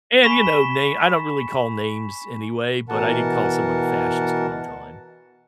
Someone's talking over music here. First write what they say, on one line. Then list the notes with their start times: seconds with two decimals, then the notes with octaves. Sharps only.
and, you know, na I don't really call names anyway, but I did call someone a fascist one time,
0.23 G#5 B5 C#6 B6 E7
2.89 B2 E3 A#4 F#5 A5